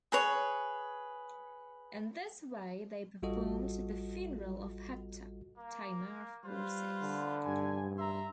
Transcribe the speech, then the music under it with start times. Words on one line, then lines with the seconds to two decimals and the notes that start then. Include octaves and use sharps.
In this way they performed the funeral of Hector, tamer of horses.
0.12 G#4 B4 C#5
3.22 A1 G3 F4 F#4 A4 D#5
5.58 A#3
6.45 G3 F4 B4 C5
7.02 D3
7.45 G2 G#5
7.98 E5 A#5 C6